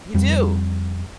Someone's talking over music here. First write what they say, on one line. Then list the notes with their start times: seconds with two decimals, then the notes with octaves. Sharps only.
You do.
0.14 F2 G3